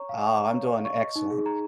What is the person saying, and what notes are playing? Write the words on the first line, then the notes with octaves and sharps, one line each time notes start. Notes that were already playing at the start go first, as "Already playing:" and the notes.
Ah, I'm doing excellent.
Already playing: C#5 A#5 C#6
F5
C#6
A#5
C#5
F5
C#6
D#5
D#4
G#4
A#5